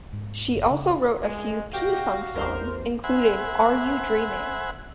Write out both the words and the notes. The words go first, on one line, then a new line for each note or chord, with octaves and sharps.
She also wrote a few P-Funk songs including Are You Dreaming?
G#2
F#1
C#3
G#3
B2 F#4 G4 F5 G5 A#6
A1 E2 A#4 C5
C5 E5 F#5 G#5 B5